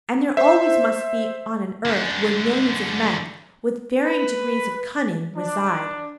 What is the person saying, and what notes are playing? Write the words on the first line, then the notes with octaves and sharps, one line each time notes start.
And there always must be on an earth where millions of men, with varying degrees of cunning, reside.'
C5 E5
F#2 D3
B4
D4